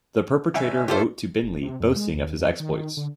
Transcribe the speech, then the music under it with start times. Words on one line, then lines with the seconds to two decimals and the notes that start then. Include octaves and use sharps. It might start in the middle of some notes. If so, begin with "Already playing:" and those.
The perpetrator wrote to Binley boasting of his exploits.
0.54 G1 E5 G#5
0.88 F4 G4 A4 C5 C#5 E5
1.42 E1
1.63 C3
1.80 F2
1.96 G#3
2.14 D#2
2.39 F2
2.60 D#3
2.97 D3